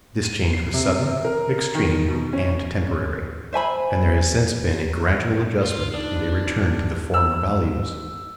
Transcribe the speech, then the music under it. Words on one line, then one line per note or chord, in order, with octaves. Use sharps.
This change was sudden, extreme, and temporary, and there has since been a gradual adjustment and a return to the former values.
D#7
C7
C3
A#4
D#3
B2
C#4
C5 E5 G#5 B5
F4
D4 D#4
G2
E6